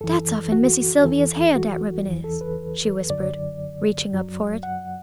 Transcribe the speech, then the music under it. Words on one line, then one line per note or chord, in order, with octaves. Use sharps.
"Dat's off'n Missy Sylvia's hair, dat ribbon is," she whispered, reaching up for it.
F#2 E3 A4
F#4
E2 E3 A4
F#4
E2 E3
A4
B4
F#2 D3 F#3 D5
F#2 F#3
F#5